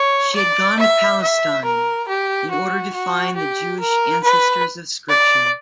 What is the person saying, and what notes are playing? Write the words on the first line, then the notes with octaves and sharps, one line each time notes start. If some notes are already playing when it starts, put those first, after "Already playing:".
She had gone to Palestine "in order to find the Jewish ancestors of Scripture".
Already playing: C#5
D5
E5
E5
A#4
G4
F#4
F#4
G4
A#4
B4
D5